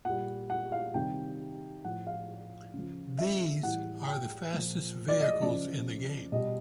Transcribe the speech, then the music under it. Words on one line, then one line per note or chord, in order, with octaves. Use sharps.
These are the fastest vehicles in the game.
A#2 G3 F#5
F#5
F5
C3 D#3 G3 G5
A2 F3 F#5
F5
C#3 F3
E5
A2 E3 G3 F#5
G5
A#2 F3
D5
D#5
C#3 F3 D5
B2 G3 D#5